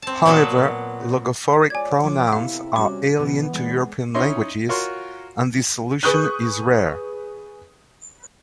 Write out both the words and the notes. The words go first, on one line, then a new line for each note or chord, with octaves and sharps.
However, logophoric pronouns are alien to European languages, and this solution is rare.
C4 A5
A#2 F#3 B3 F#4 A5 B5
G#3 F4 C#5 D5 G#5 G#6
F3 F4 C#5 D6
C3 B3 E4 A4 F5
G3 C#4 F#4 D6
B2 E3 B3
G#3
C#4 D#4 E4 C#5 D#5 C6
F4 F#4 A#4 C#5 C6 C#6
G#4 B4 C#6 D#6 F#6 G6